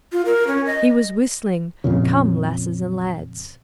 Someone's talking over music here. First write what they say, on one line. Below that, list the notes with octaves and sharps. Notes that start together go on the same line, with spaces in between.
He was whistling "Come, Lasses and Lads."
F4
A#4
C#4
D#5
F2 A#2 C#3